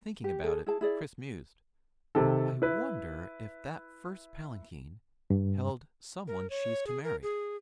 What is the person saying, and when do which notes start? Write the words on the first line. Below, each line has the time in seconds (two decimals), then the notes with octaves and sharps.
Thinking about it Chris mused: I wonder if that first palanquin held someone she's to marry?
0.24 G4
0.43 G#4 A4
0.66 E4 G#4 A5
0.81 E4 G#4 D5
2.15 C3 D#3 A4
2.62 E4 B4
5.30 G2
6.27 A#4
6.50 C#5
6.87 G#4
7.04 A#4
7.23 G#4